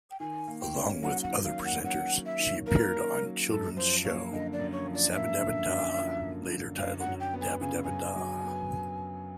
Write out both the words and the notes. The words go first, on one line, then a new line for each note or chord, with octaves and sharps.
Along with other presenters she appeared on children's show "Sabadabada", later titled "Dabadabada".
G5
D#3 G#5
A#3
G5
C#4
F#3 F#5
F#5
D#3
F5
A#3
F#5
C#4 F#5
F#3
E5
D#3
A#3 A#4
C#4
F#3
F#2 A4
F3 C5
A#3 C#5
D3 D#5
D5
F#2
C#5
F3
D5
A#3 E5
D3
F#2
F3
A#3
D3
F#2 F5
F#5
F#3
G5
B3
G#5
C#3 G#5
F#2 G#5
F#3
B3